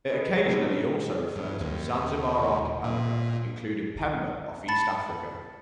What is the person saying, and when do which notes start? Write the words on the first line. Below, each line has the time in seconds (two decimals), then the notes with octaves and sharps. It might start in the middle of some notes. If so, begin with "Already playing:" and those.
It occasionally also referred to the Zanzibar Archipelago including Pemba off East Africa.
0.10 A4 B4 D#5
0.46 F#3 G3 A3 C4 C#4 D#4
1.36 G2
1.60 D#2
2.84 A#2
4.68 A5 B5 A6 C#7